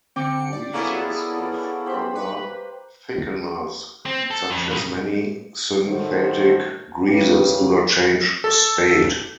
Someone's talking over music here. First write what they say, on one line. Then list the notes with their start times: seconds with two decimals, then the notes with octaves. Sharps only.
Greases with other thickeners, such as many synthetic greases, do not change state.
0.16 D3 C4 G5 D6 C#7
0.53 D5
0.74 A#3 B3 C#4 E4 G#4 A4 E5
1.86 G4 C5 B5
2.15 B4
4.06 C4
4.31 A4
4.50 F2
4.71 G2 B2
5.87 A2 D#3 F#4 A4 C5
7.08 C#3 E3 E4 G4 B4
8.44 A4